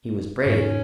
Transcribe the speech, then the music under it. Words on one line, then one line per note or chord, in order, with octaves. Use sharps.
He was brave.
G#2 C#4